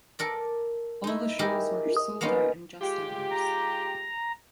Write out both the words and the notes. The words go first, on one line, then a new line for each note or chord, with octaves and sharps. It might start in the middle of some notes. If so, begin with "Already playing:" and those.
All the shows were sold out in just hours.
A4 A#4 D5
D#4 E4
D#4 E4 G4 G#4 A#4
A#3 B3 C#4 D#4 F4
G#3 F4 G4
A#5